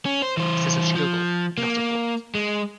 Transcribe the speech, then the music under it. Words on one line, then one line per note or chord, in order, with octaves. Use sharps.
It is a struggle, not a thought.
C#4
C5
E3 C5
F3
A#3
G#3